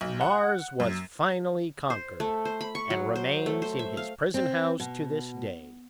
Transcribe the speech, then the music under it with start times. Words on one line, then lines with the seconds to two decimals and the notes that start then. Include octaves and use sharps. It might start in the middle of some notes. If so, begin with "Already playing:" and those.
Mars was finally conquered, and remains in his prison-house to this day.
0.01 B1
0.21 F#5
0.80 F#2
1.90 C5
2.20 A3
2.45 C5
2.61 B5
2.75 C#6
2.90 F#3
3.16 C5
3.46 A3
3.62 C5
3.79 E5
3.97 F5
4.34 C4
4.80 B2